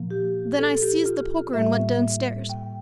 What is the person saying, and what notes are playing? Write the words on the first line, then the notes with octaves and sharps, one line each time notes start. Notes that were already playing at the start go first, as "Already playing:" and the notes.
Then I seized the poker and went downstairs.
Already playing: A#2 F3 A#3
G4
A4
G4
F4
A2 G3 A#3 E5
G5